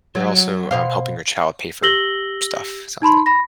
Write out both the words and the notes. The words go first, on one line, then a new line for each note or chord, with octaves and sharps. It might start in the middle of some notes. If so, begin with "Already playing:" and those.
you're also, um, helping your child pay for stuff, it sounds like.
F#3
B2 C5 F5
G4 E6 A#6 F#7 G7
D#4 A5 B5 C6
B5 A#6